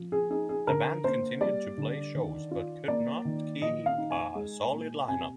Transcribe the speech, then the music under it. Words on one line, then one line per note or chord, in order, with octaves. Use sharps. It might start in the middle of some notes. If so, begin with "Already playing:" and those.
The band continued to play shows but could not keep a solid line up.
Already playing: F3
G#4
D#4 G#4
G#4
D3 A#4
A#3 C5
G3 D5
D3
D#3
F4
A#3 D5
D#3
A#2 D#5
F5
D#4
G#5
G#3
A#2
C3 G#5